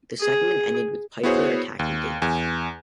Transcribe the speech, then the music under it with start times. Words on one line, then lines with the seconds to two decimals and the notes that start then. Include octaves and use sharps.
The segment ended with Piper attacking Davis.
0.21 G#4
1.23 B3 E4 F#4 G#4 C5 C#5
1.79 D#2
2.22 E2 G#5